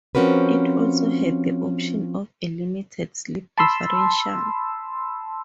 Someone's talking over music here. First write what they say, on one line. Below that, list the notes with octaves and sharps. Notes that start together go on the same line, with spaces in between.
It also had the option of a limited slip differential.
F3 C4 C#4 F#4 A#4 B4
A5 B5 C6 E6